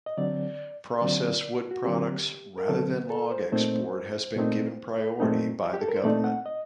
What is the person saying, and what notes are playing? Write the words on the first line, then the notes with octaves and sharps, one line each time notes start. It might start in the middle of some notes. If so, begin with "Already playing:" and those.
Processed wood products, rather than log export has been given priority by the government.
D#5
D3 F#3 C4 D5
D3 F#3 C4 D5
F#4
D3 F#3 C4 G4
A#4
D3 F#3 C4 A4
A4
C5
A#2 A3 C4 D#4 C5
A#2 A3 C4 D#4
A#2 A3 C4 D#4
G4
A4
A#4
C5
A#2 A3 C4 D#4 D5
F#5
D#5